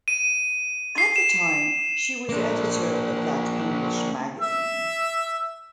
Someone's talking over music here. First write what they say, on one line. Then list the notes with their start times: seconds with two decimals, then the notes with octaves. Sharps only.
At the time, she was editor of that English magazine.
0.08 D#7
0.98 C7
1.16 E7
2.29 A#3 D4
4.41 E5